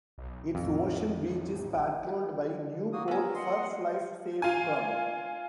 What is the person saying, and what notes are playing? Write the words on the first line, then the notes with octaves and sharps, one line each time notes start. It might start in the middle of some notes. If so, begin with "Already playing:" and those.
Its ocean beach is patrolled by Newport Surf Life Saving Club.
B1
A1 F2
A#3 F#4 D#6
B3 C#4 A#4 E6
D#5 F#5 C6
F4 G#5